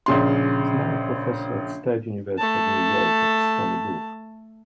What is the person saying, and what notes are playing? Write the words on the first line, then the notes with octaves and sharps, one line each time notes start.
He is now a professor at State University of New York at Stony Brook.
A#1 C#3 C6
A3 A5